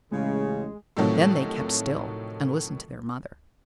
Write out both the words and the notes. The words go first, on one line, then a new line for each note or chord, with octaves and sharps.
Then they kept still and listened to their mother.
A1 C#3 G#3
A2 C3 D#3 F3 F#3 A3